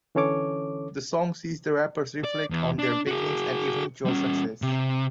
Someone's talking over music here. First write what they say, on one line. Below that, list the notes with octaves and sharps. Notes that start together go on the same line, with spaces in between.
The song sees the rappers reflect on their beginnings and eventual successes.
D3 E3 C#4 A4 C#5 D6
D5
E2
D4
F#4 G#4
G3 C#4
C3